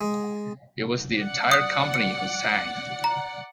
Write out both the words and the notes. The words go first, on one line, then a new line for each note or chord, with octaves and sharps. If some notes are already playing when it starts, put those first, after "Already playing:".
It was the entire company who sang.
G#3
D5 F#5
D#6 F#6
C#7
A#5